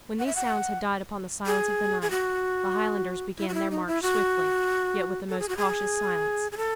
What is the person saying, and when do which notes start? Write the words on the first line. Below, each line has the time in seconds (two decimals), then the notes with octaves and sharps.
When these sounds had died upon the silence of the night, the Highlanders began their march swiftly, yet with the most cautious silence.
0.19 F#5
0.27 E5
0.36 F#5
1.46 G#4
2.02 G#4
2.11 F#4
3.39 E4
3.48 F#4
3.54 E4
3.71 D#4
3.87 E4
4.02 F#4
5.29 A4
5.39 G#4
5.49 F#4
5.57 G#4
6.52 G#4
6.57 A4